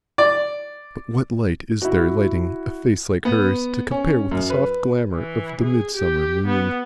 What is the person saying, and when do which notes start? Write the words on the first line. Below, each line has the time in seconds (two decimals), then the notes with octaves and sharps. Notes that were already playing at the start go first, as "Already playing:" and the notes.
But what light is there lighting a face like hers, to compare with the soft glamour of the midsummer moon?
0.18 D5
1.82 E4 F#4
3.25 B3
3.91 C#4
4.31 F#2
4.50 B4
5.13 E3
5.61 G#4
5.95 G4
6.47 B3